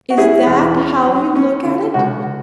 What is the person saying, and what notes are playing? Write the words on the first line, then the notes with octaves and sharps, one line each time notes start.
Is that how you look at it?
F#4
C#4 E4 G#4
E2
C#4
F#3
C#4
D3
C#2 F#4